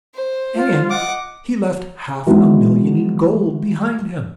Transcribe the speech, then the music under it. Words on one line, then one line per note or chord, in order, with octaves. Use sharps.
And--he left half a million in gold behind him!
C5
F4
D#5 F#5 D6
E3 F#3 G#3 B3 D#4 F#4